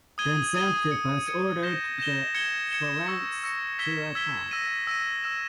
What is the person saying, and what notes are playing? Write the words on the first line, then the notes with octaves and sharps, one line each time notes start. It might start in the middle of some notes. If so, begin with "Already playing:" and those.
Then Xanthippus ordered the phalanx to attack.
D#6 G#6 D#7 G7
D#6 G#6 D#7 G7
D#6 G#6 C#7
D#6 G#6 C#7
G6 A#6 E7 G7
G6 A#6 E7 G7
G#6 C#7 E7 G7
G#6 C#7 E7 G7
C#6 E6 A#6 C#7
C#6 E6 A#6 C#7
E6 G#6 B6 E7 G7
E6 G#6 B6 E7 G7
E6 A#6 D#7
E6 A#6 D#7
E6 A#6 E7